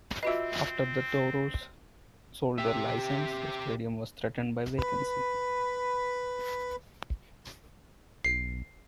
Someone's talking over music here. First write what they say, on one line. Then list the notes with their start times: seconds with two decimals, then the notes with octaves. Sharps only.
After the Toros sold their licence, the stadium was threatened by vacancy.
0.23 C4 F4 F#4 B4 D#5 E5
2.58 G4 E5
4.78 B4 B5
8.24 B1 C7